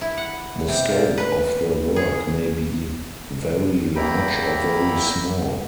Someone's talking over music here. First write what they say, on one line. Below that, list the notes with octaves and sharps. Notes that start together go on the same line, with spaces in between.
The scope of their work may be very large or very small.
E4
F#5
C3
A#2
B4
G#4
E2 A#3 E4 G5 A#5 B5